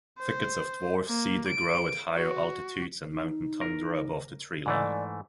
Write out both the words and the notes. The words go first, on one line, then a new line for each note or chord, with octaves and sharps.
Thickets of dwarf cedar grow at higher altitudes and mountain tundra above the treeline.
C5
A#3
D7
F#4
D#4
A#4
G#2 E3 A3 D5